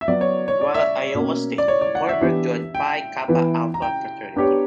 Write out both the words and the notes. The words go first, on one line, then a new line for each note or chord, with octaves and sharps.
While at Iowa State, Hoiberg joined Pi Kappa Alpha fraternity.
E5
F#3 B3 F#4 D5
C#5
C#5
D5
E5
B2 A#3 C#4
D5
C#5
D5
F#5
E5
E3 B3 D4 G4
G5
E3 B3 E4 B4
A#5
G5
B3 D4 G4 C#5